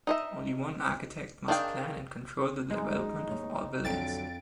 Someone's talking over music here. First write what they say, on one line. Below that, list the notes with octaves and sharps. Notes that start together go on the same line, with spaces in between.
Only one architect must plan and control the development of all buildings.
D#4 D#5 E5
D#3 D4 G#4 F5 G5
F#2 G3 G#3 D#4
D#2 B2 C#5
F2 D3 F#3 A6 D7